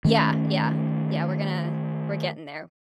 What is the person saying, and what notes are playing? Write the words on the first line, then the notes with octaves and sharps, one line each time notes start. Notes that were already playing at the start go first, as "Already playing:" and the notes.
Yeah, yeah, yeah. We're gonna we're getting there.
D#3 A3 C#4